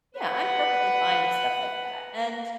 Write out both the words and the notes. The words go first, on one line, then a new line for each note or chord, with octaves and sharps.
Yeah, I'm perfectly fine with stuff like that. And,
B4 F#5